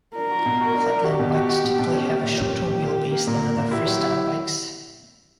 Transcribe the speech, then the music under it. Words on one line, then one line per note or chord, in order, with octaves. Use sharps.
Flatland bikes typically have a shorter wheelbase than other freestyle bikes.
D4 A#4
F#4
B2
F#4
D4
D4
F#4 G4
B2
F#4
F#4
B2
B2
C#4
A#3
A#2
C#4 G4
A#3
A#2
A#3
A#3
A#3
A#2 A#4
A#2
A#2
E4 G4
F#3
E4